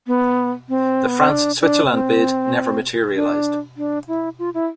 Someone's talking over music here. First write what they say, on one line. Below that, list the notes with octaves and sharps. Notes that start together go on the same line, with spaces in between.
The France-Switzerland bid never materialized.
B3
C4
B3
C4
D4
D4
C4
D4
D4
E4
F4
E4